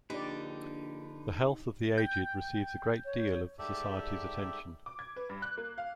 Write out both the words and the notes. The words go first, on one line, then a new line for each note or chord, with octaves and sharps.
The health of the aged receives a great deal of the society's attention.
A#1 D3 D#4 G4 B4 D5
G5 G6
C#5
G#2 G3 G4 A4 D5 E5
D6
G#6
B4
G2
F#6
A#3
F5